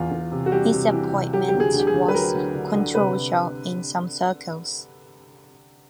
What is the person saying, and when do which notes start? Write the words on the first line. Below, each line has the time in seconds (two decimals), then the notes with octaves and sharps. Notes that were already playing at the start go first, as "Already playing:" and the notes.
His appointment was controversial in some circles.
Already playing: E2 E3 F4
0.11 E2
0.32 C3
0.46 F#4
0.52 G3 G4
0.72 C3
0.92 E3
1.12 C3
1.33 F#3 G4
1.48 G4
1.54 D2
1.60 G#4
1.74 D2
1.79 G4
1.87 G#4
1.94 D2
2.08 B4
2.14 F#3 A#4
2.34 D2
2.55 D3
2.74 D3
2.94 C3 B4